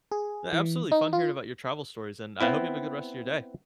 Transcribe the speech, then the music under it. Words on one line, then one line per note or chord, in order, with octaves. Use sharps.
Absolutely fun hearing about your travel stories, and I hope you have a good rest of your day.
G#4
E3
D#4
F4
B3 C4 E4